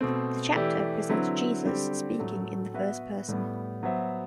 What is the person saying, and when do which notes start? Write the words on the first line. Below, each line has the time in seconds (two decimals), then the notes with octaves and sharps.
The chapter presents Jesus speaking in the first person.
0.01 B2 A3 C4
0.55 E3 A3 E4 G4 D5
1.09 D3 F#3 C4 E4 B4
1.65 D3 G3 C4 G4
2.19 A2 F#3 A3
2.74 B3 F#4 B4 E5
3.28 A2 G3 B3
3.83 F#3 B3 F#4 C5 E5